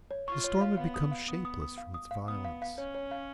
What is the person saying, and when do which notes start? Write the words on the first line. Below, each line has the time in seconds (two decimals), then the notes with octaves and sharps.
The storm had become shapeless from its violence.
0.11 C#5
0.28 F4 C#6
0.44 C#5
0.61 F5
0.77 B3 F5
0.94 D#6
1.11 F5
1.28 B3 D#6
1.45 D#6
1.62 D#6
1.78 F5
1.94 D#6
2.11 F5
2.28 B3 D#6
2.45 F5
2.62 F5
2.78 C#4 C#5
2.95 C#5
3.11 F5